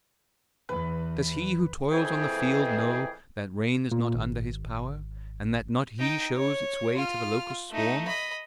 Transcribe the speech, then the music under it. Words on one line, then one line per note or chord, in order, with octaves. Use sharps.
Does he who toils on the field know that rain is not under his power, and that not he shows its way to the locust swarm?
E2 B4
F2 E3 G#4 G5
A#2
G#1
D#4 G5
C#5
F4 F6
A3 D#4
D#5 B5